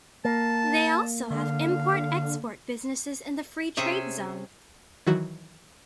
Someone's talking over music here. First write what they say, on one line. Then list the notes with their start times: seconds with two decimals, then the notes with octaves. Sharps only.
They also have import-export businesses in the Free Trade Zone.
0.25 A#3 A5
1.31 D3 F5
3.77 C3 C#4 G#4 E5
5.07 D#3 E3 F#3 F#4